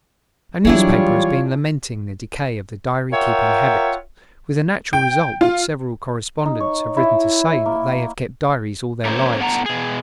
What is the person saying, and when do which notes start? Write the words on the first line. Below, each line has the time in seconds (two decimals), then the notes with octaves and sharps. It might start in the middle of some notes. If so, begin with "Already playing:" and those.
A newspaper has been lamenting the decay of the diary-keeping habit, with the natural result that several correspondents have written to say that they have kept diaries all their lives.
0.65 E3 F#3 G3 D4 E4 F4 G#4 C#5
3.12 F4 A#4 C#5 E5 F#5 G5
4.93 G5
5.41 F4
6.45 D#4
6.60 C#5
6.97 E4
7.66 A#3
9.05 A3 A#3 C#4 F4 C5 C#5
9.40 A2 B3 D4 F#5 A5 A#5
9.66 B2 G#4